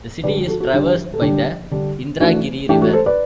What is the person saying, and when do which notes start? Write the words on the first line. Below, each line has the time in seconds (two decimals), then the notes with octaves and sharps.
The city is traversed by the Indragiri River.
0.23 D3 G3 D4 B4 D5
0.36 G4
0.48 F#4 A4
0.60 F#4 A4
0.73 D3 G3 D4 G4
1.14 A4
1.22 D3 G3 D4 G4
1.71 D3 G3 D4
2.20 E3 A3 D4 F#4
2.69 E3 A3 D4 G4
2.82 F#4 A4
2.93 A4 C5
3.06 B4 D5